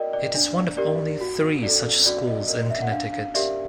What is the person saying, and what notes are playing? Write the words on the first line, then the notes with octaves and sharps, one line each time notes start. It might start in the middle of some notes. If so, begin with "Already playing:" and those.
It is one of only three such schools in Connecticut.
Already playing: F#4 A#4 D5 D#5 G5
D5
D4
G4 A#4 D5
F#4
A4 D5
F#4 D5
D#5
A#4 D5 D#5
E5
F#5
D4 F5
F5
G4 A#4 D5 E5